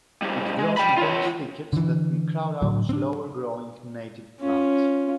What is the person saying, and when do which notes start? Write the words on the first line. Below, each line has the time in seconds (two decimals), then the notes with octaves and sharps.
It grows in dense thickets that can crowd out slower growing native plants.
0.22 A2 G3
0.59 G#3
0.77 G5 B5
0.97 F4 C#5
1.73 D3 E3
2.62 A2 D3 F#3
2.89 C4 D4
4.40 C#4 F4